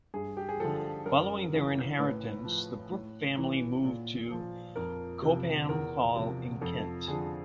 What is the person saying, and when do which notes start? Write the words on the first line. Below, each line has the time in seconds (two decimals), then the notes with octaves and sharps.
Following their inheritance the Brooke family moved to Cobham Hall in Kent.
0.14 G2 G#4
0.37 G4
0.49 G#4
0.60 D3 F3 A4
1.06 F#2 A#4
1.53 C#3 E3
1.99 A2 B4
2.45 F3
2.91 A2
3.37 E3
3.84 A#2
4.31 F3
4.76 F2 A#4
5.22 C3 F3
5.69 E2 A#4
6.15 C3 F3
6.61 F2 A4
7.08 D3 F3 G#4